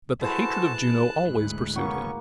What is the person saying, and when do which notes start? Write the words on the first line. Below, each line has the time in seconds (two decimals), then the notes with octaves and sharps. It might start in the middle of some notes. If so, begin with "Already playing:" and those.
But the hatred of Juno always pursued him.
0.22 E4 F#4 G#4 A4 B4 C5 A5
0.74 F#6
1.30 D2 G#2
1.76 A#3 B3 C#4 F#4 C#6